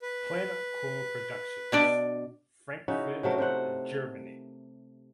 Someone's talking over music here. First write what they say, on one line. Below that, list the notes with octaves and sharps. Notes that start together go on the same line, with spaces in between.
Planet Core Productions, Frankfurt, Germany.
B4
B2 D4 D5
C#3 D#4 E4 F#4
C3 F#3 A3 A#4
C3 C5 F#5